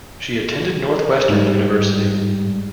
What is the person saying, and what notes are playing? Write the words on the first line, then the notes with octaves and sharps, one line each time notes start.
She attended Northwestern University.
G#2 G3